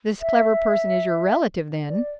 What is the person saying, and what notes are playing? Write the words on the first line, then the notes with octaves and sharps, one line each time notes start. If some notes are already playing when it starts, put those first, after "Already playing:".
"This clever person is your relative, then?"
E5
D5